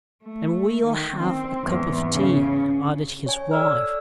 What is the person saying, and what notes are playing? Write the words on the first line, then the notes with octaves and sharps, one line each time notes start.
"And we'll have a cup of tea," added his wife.
A3
D#3
C4
E2 G#2
C#3
C#5 G#5
A4 D5 E6 F6